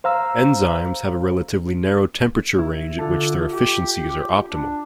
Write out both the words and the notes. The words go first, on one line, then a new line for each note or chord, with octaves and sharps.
Enzymes have a relatively narrow temperature range at which their efficiencies are optimal.
C5 F5 A#5 E6
E4
D3 F4 A4
G4
D4